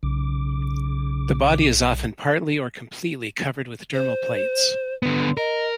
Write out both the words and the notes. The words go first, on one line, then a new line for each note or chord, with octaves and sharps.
The body is often partly or completely covered with dermal plates.
B1 C#3 D6
C5
D3 B3
A#4 D#5